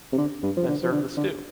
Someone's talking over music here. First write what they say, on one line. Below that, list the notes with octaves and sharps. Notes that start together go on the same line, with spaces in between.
Then serve the stew.
C3
D3
G2
F3
D3
F3
D3
D3